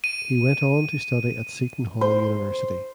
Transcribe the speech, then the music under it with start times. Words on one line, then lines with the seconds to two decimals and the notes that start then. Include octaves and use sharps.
He went on to study at Seton Hall University.
0.04 D#7
2.01 C5